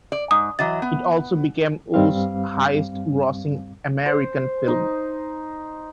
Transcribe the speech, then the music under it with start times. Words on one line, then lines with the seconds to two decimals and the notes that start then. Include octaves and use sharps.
It also became Woo's highest-grossing American film.
0.12 D5
0.31 G#2 D#6
0.59 E3 F#3 D#5 A6
0.82 B3
1.94 G2 G3 C4 F5
4.06 C5
4.68 D#4